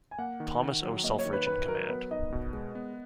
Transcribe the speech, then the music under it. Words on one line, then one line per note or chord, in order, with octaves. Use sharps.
Thomas O. Selfridge in command.
G#5
A#3 F#5
D#3
D#3
F#3
A#3 D#5
C#5
D#3
B4
D#3 B4
F#3 A#4
B3 B4
D#4 D#5
B2
G#3
B3